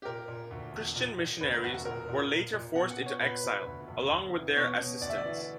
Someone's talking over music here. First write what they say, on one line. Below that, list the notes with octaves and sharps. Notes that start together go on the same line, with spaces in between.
Christian missionaries were later forced into exile, along with their assistants.
G4
A#2 A#4
A#2
D2
E1
A#2
A#2
D2 B4
A#4
E1 F#4
F#4
A#2 A#4
A#2
A#2
A#2
B2 F#5
F#5
B2
C#5
A#2 B4
A#2
D2
E1
D2
E3
B2 C#5
B2
D2 D5
E5
D5
E3